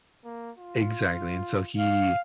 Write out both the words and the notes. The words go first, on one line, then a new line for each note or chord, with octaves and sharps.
Exactly and so he
A#3
F4
F5